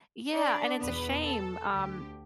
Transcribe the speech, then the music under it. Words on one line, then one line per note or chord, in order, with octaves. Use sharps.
yeah, and it's a shame, um,
D4 D5
E2 B2 B3 B4
A4
D2 D3 G4